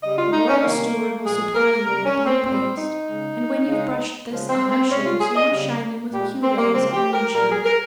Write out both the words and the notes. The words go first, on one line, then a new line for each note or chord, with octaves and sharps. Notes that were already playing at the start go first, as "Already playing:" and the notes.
The Royal Steward will supply you with blue paste, and when you've brushed this on our shoes you must shine them with Q-rays of Moonshine.
C#3 G3 D#5
F4
D#4
C#4
C3 D#3 G3 A#3
A#2 F3 G#3 G#4
A#4
C3 G3 A#4
C#4
C4
A#2 G3 C4
D#4
C#3 G#3
C#3 G#3
C#3 F3 G#3
C4
C4
C3 G3 C#4
F4
G#4
D#5
C#3 G3
A#2 G#3 G4
C4
A#3
C#3 F3 G#3 C4
G4
A#4
A#2 G3 A#4
G#4
A#4